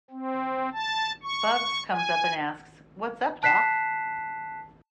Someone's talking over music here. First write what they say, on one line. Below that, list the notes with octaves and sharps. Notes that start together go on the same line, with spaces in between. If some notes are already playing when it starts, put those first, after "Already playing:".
Bugs comes up and asks What's up doc?
C4
A5
C#6
G#5
A5 F#6 B6 C7 E7